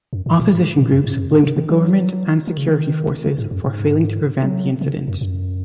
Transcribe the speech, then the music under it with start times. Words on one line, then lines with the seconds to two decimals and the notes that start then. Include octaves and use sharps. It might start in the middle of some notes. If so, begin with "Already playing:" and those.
Opposition groups blamed the government and security forces for failing to prevent the incident.
0.13 F#2
0.26 G#2
0.39 A#2
0.52 G#2
0.78 A#2
0.91 F#2
1.04 G#2
1.17 F#2
1.31 G#2
1.43 C#3
1.56 D#3
1.69 F#3
2.47 D#3
2.58 C#3
2.68 D#3
3.26 C#3
3.38 G#2
3.51 F#2
3.65 G#2
4.42 F#3
4.81 C#3
5.08 F#2
5.21 F#2